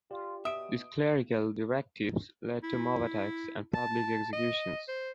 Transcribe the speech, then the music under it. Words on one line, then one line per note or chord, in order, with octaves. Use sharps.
These clerical directives led to mob attacks and public executions.
F4 G4 D5
B2 E5 D#6 D7
E4
A5
D#5
C5